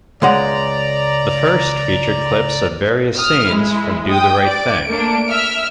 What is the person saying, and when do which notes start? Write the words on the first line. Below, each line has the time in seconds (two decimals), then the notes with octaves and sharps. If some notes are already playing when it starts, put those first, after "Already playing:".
The first featured clips of various scenes from "Do the Right Thing".
0.22 C#2 G#3 D5 F#5 A#5
3.17 D#6 F6
3.50 G#3 E4
4.09 G5 D#6
4.47 D5 D7
4.88 A3 A#3 D4
5.29 E5 F6